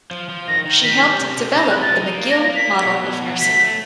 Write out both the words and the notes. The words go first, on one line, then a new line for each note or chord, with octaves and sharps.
She helped develop the McGill Model of Nursing.
F3
F3
D#3 A#6
D#3
D#3 B6
G3
C3
C3
C3 A#6
F#6
F3
A6
D#4
A#3
A#3 A#6
A#6
A#3
B6
F#3
B2
F#3
F#3
A3 B6
A3